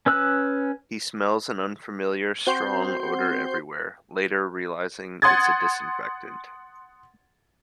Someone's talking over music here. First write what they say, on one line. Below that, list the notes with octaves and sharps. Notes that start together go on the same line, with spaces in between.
He smells an unfamiliar strong odour everywhere, later realising it is disinfectant.
C#4 B4 E6 F#6
C4 F#4 C5 G6 C7
F#5 C6 D#6 G#6 A6